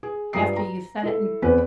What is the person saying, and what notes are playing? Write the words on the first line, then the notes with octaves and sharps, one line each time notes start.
after you've said it, and
G#4
G2 F3 G3 A#5 D#6 C7
A#5
E4 A4
E2 C4 B4